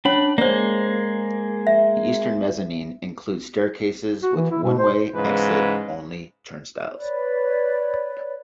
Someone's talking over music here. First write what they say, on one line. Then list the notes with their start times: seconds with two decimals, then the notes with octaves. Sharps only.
The eastern mezzanine includes staircases with one-way exit-only turnstiles.
0.05 C#4 D4 C#5 B5
0.38 G#3 A#3 C5 D5
1.67 E5
4.23 F#4
4.36 E3
4.51 E4
4.64 B2
4.78 C5
5.14 G#2 C#3 E3 B4
6.94 B4 C#5 D5